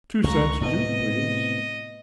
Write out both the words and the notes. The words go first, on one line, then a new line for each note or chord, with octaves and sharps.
"Two cents due, please."
C#2 A#5 C#6
A2 C3 B3 D#5